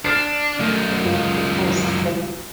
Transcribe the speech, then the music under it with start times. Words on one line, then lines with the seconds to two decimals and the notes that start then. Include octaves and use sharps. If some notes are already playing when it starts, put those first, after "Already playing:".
like, it it pulls something
0.05 D4 F6 A6 C7
0.60 F#2 D#3 A3
1.05 C#2